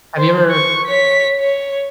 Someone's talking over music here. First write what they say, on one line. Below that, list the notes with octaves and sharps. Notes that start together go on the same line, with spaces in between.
Have you ever
C5
C#6
C#5 B6
C#5